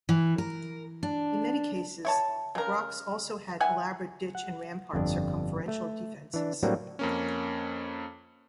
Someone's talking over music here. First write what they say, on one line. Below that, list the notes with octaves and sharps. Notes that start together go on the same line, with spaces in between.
In many cases the brochs also had elaborate ditch and rampart circumferential defences.
E3
A#4
D4
E4 C#5 A5
C#3 A#4
E4 E5 F#5 G#5
F#5
G1 F2 D4
A3
E3 D4
A2 F#3 G3 A#3 C4 D4
F2 A#3 C#4